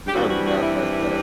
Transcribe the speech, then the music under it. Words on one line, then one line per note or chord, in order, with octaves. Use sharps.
I I would not write that.
G4
G2 E3 G3 C4 F#4
F#4
F#4
E4
E4
E4